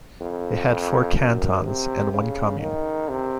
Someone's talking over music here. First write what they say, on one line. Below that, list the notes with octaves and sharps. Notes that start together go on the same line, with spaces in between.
It had four cantons and one commune.
F2
F2
F#2
C3
C#3
D#3
C3